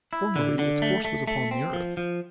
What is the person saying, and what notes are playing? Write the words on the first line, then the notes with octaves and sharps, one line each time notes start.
Formerly its course was upon the earth.
E4
D3
D3
A3
A3
A3
C4
F3
F3